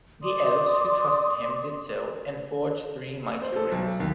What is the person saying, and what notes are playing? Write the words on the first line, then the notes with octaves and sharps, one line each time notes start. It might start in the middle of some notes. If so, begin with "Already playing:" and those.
The Elves, who trusted him, did so, and forged three mighty rings.
D5 C6 D6 D#6
C5
A4
B1
D#2